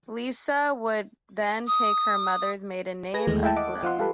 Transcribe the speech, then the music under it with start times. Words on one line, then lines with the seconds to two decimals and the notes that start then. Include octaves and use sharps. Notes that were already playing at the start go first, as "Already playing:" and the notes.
Lisa would then take her mother's maiden name of Bloom.
1.67 D#6
3.14 G#4 B4 G#5 A#6
3.27 D#2 E3 G#3 A3
3.43 E4 E5 G5 A5
3.56 D#5 F#5 D6
3.83 F3 F4 F#5 C6
3.99 F4 G4 A4 B4